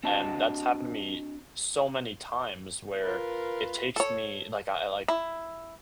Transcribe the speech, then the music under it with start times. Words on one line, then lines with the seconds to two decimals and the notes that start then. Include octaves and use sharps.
And that's happened to me so many times where it takes me like, I, like
0.03 C4 D4 F#4 D#5 A5
3.02 F4 A#4 B4
3.96 A4 C#5
5.08 E4